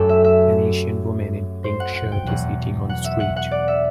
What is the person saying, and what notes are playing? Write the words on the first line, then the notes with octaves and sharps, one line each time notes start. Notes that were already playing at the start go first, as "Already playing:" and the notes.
An asian woman in pink shirt is eating on the street.
Already playing: F#2 F#3 A3 G4 A4
E5
E5
C5
F#5
F#5
G5
E2 B2 F#3 F#5
F#5
E5
F#5
F#5
D5
E5